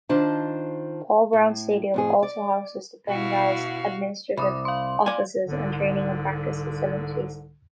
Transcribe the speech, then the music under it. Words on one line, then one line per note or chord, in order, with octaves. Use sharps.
Paul Brown Stadium also houses the Bengals' administrative offices and training and practice facilities.
D#3 D4 F4 C5 A5
A2
F2 A2 G#4
D5
B2 E4 F#4 F5
C2 B5 D6 D#6
F5 C6
D5 G#5
C2 G#2 D3